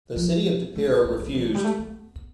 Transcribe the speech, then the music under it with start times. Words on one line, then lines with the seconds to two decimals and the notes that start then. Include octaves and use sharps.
The city of De Pere refused.
0.16 F3
0.75 A3
0.90 B3
1.05 C4
1.20 B3
1.35 E3
1.44 D3
1.54 G3
1.64 A3
1.79 B3